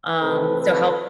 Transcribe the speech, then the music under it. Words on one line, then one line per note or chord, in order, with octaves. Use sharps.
Um, so help
C3 E3 A3 C4 A4 B4
A4 B4